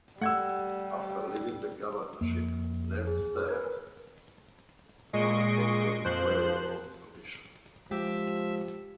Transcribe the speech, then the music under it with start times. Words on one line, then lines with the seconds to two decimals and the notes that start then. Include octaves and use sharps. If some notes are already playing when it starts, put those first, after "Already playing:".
After leaving the governorship, Neff served on the Texas Railroad Commission.
0.21 G3 A3 F#5 E6 G#6
2.21 F2 A#3
3.07 G#4
3.49 A#4 B4 G#5
5.13 A#2 G#3 D#5 C#6 C7 D7
6.05 F2 F3 C5 F#6
7.91 F3 G#3 G4 E5